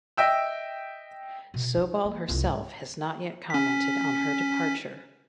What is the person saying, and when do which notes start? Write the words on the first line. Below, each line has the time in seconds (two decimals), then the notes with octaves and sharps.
Sobol herself has not yet commented on her departure.
0.17 D#5 E5 G5 E6
1.54 B2
1.77 D#4
2.05 A#3
2.28 C2 F2
2.44 G#2
3.50 C#4 B6